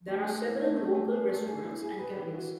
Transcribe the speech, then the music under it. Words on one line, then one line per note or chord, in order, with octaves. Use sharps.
There are several local restaurants and cafes.
A3
A3
E4
A3
A3
A3
G#4
A3
G#4
E4
G#4
B4
E3
F#4